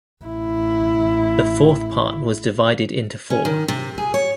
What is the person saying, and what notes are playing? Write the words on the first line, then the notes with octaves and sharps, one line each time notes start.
The fourth part was divided into four.
A1 E4
C#4
D#3
C3
G#4
C#5